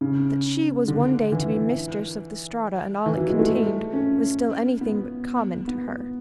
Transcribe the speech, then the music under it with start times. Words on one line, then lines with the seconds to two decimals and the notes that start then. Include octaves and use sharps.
That she was one day to be mistress of the Strata and all it contained was still anything but "common" to her.
0.01 C#3
0.88 D3
1.32 E3
3.06 E3
3.17 F#3
3.28 G#3
3.39 A3
3.93 C#4
4.81 B3
5.68 B3